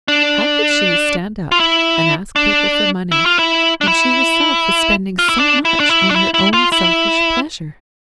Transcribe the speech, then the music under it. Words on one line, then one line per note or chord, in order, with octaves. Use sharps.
How could she stand up and ask people for money when she herself was spending so much on her own selfish pleasure?
D4
F4
E4
D4
E4
F4
E4
D4
E4
F4
E4
D4
E4
D4
E4
D4
E4
E4
F4
E4